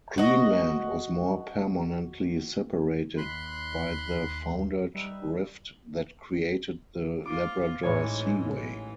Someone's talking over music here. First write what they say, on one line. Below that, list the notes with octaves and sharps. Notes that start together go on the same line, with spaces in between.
Greenland was more permanently separated, by the foundered rift that created the Labrador Seaway.
F#4 D#5
D#2 B5 C6 F#6
G3 D#4 B4 E5
F4 D6
A1 G#2 E3 C#5 G#5
E3